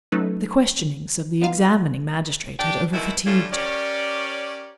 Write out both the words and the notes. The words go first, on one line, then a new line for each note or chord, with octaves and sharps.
The questionings of the examining magistrate had over-fatigued her.
F#3 A3 C#4 D#4 A4 B4
B3 D#4 F4 F5
D4 G4
G#2 B2 D#3 E4
A2 D3 G3 C#4 E4 F4
C#4 G4 A#4 C#5 D5